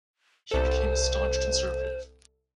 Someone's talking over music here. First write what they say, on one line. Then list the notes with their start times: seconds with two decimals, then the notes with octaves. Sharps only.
He became a staunch conservative.
0.51 C2 A4 C5